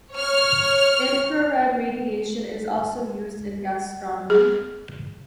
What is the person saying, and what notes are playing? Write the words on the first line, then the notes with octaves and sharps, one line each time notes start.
Infrared radiation is also used in gastronomy.
C#5 F6
G#4